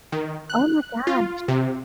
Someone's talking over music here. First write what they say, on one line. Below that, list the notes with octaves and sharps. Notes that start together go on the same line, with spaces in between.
Oh my gosh.
D#3
F#6
F4
C3